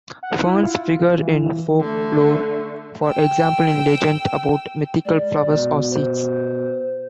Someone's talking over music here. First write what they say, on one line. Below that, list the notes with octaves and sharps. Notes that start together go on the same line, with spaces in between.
Ferns figure in folklore, for example in legends about mythical flowers or seeds.
F#5
E4
F4
E3
D3 A3
G5 E6
G#3 D5
B2
C5